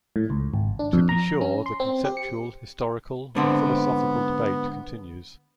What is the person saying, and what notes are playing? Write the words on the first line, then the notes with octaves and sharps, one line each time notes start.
To be sure, the conceptual, historical, and philosophical debate continues.
A2
C#2
G#1
D4
F2
A#5
C#4
C6
C4
G4
C#7
G#2 D3 B3 C4